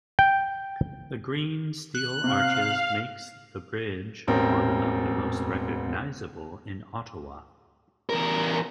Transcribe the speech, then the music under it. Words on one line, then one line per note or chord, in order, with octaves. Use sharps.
The green steel arches makes the bridge one of the most recognizable in Ottawa.
G5
F#6
C3 F5
E1 A1 C4 A#4
E2 A#4